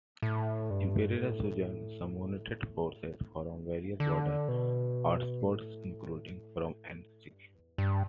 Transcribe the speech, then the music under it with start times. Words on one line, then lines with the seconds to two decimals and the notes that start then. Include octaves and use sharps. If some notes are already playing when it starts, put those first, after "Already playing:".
Emperor Suzong summoned forces from various border outposts, including from Anxi.
0.22 A2
0.70 G2
1.17 A2
3.53 D3
4.00 D3
4.48 B2
5.42 A2
7.31 G2
7.55 E2
7.78 G2